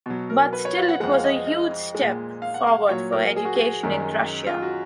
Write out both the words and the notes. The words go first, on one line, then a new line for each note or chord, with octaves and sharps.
But still it was a huge step forward for education in Russia.
B2 F#3
A#4
B4
C#5
F5
F#5
F2 F3 G#3 F#5
F5
D#5
D#5
A#2 G#3
F5
F#5
F5
A#2 F#3 C#5
A#4
G#4
F#4
G#4
F#2 D#3 G#3
F4
F#4